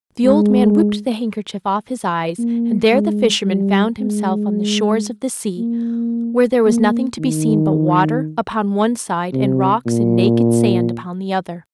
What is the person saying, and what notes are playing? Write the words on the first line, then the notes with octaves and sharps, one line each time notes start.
The old man whipped the handkerchief off his eyes, and there the fisherman found himself on the shores of the sea, where there was nothing to be seen but water upon one side and rocks and naked sand upon the other.
G#3
A#3
G#3
G3
G#3
A#3
A#3
D#3
C3
A#2